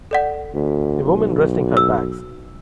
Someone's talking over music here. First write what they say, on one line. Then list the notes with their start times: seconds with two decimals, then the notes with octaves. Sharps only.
A woman resting her bags.
0.11 A4 D5 F#5
0.54 D2
1.03 B1
1.77 E6